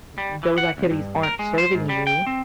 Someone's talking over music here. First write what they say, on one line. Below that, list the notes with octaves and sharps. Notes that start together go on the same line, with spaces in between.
th those activities aren't serving you,
G3
E3
F#5
C2
G2
A#4
G#3
C5
G#2
G3
G5
C4